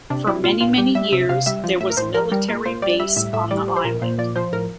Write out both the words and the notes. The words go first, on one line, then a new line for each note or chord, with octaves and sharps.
For many, many years there was a military base on the island.
C3 D4
G3 E4
A#2 F4
A#2 F4
G3 G4
G3 E5
C3 E5
C3 F5
G3 E5
F3
A2 E5
A#4
A2 C5
F3 A#4
G3 A#4
A#2 A#4
A#2 C5
G3 D5
G3 E5
A2 E5
A2 E5
G3 D5
F3
C5
A#2 A#4
A#2 C5
F3 D5
F3 C5
A2 A#4